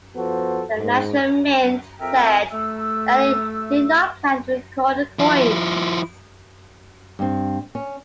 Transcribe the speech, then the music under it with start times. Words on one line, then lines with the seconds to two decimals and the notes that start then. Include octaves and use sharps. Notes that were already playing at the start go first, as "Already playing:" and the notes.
The national mint said that it did not plan to recall the coins.
0.16 F3 B3 F#4 A4 C5
0.79 G#2
2.01 F2 C4 A#4 E5 G5
2.52 A3 E6
5.19 F3 E4
7.19 G2 C4
7.75 C#4